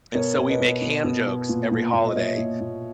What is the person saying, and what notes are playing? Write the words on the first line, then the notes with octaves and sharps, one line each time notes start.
and so, we make ham jokes every holiday,
B2 A#4 C#5
B2
B4 D#5
B2
B2
B2
B2
A#2
A#2
A#2
D#5
A#2 C#5 E5
A#2
A#2